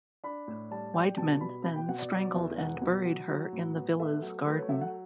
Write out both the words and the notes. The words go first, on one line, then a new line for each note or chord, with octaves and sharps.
Weidmann then strangled and buried her in the villa's garden.
D4 B5
A2
G3 A5
G3 G5
B2 A5
B2 B5
B2 B5
G5
B2 F#5
D5
F#3 D5
E2 E5
E1 F#5
B2
F#3
F#3
A2
B3
A3 E5
F#3
A3 B4
C#5
F#3 E5
F#5